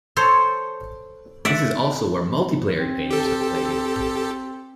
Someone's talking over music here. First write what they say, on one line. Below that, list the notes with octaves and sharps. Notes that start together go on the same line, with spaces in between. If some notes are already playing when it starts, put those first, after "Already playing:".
This is also where multiplayer games are played.
A4 C5 C#5
D5 E5 F#5
C4
G4 A4